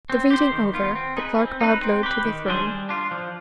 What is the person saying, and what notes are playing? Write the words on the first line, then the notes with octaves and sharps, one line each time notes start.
The reading over, the Clerk bowed low to the throne.
C4
G4 C5
D#3
B3 F4
C4
D#4 G#4 B4
C4
D#4 B4
C4
G4 B4
D#3
G3 D4 G#4 C5
G3
D4 F4
F3